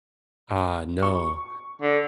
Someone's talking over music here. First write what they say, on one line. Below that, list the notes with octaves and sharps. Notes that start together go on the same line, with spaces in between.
Ah, no.
C#6
D3